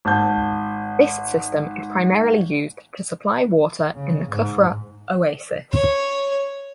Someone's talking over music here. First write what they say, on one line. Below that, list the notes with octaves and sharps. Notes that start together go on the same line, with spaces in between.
This system is primarily used to supply water in the Kufra oasis.
G#1 A5 G6
C#3
G#2
C#5